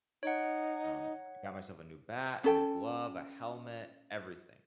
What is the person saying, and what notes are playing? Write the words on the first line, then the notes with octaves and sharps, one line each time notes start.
um, I got myself a new bat, a new glove, a helmet, everything,
D#4 C#5 F#5
C#4 A4 G5